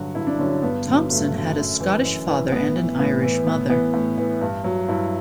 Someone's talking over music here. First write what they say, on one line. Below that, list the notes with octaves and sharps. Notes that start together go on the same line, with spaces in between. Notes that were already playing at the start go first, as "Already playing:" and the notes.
Thomson had a Scottish father and an Irish mother.
Already playing: G2 D3 F#3 F#4
G2 E4
D4
D3 F#3 C#4
C#4
G2 B3
D3 F#3
G2 A3
D3 F#3
F#2
E3
F#2
E3
A2 B3
E3
A2 B3
E3
A2 B3
E3 B3
A2
E3
G2
F#3
G2 E4